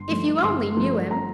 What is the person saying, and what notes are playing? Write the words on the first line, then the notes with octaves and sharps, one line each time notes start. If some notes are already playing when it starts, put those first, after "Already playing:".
If you only knew him!
Already playing: G1 C6
G2 F3 A3
G1 C6
G2 F3 A3
A#5